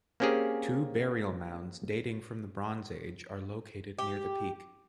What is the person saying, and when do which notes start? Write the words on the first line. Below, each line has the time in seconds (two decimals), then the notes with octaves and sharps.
Two burial mounds dating from the Bronze Age are located near the peak.
0.20 A#3 C4 C#4 G4 G#4 A#4
3.99 G4